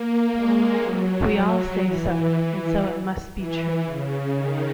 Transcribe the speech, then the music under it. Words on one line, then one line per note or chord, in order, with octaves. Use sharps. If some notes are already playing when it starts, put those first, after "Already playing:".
We all say so, and so it must be true.
Already playing: A#3
G#3
F#3
E3
E3
C#3
D#3